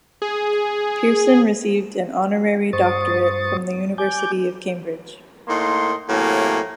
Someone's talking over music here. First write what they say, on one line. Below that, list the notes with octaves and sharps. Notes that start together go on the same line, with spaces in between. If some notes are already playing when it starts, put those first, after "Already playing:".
Pierson received an honorary doctorate from the University of Cambridge.
G#4
G2 C5 C#6 D#6 A6
G#5 D6 G6
A2 A#3 D#4 C6
A2 C3 F#3 A#3 G#5